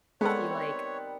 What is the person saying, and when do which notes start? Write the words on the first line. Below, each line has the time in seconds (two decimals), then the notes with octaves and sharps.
he, like,
0.21 D#3 G3 G#3 B3 C4 A4 C#5 F#5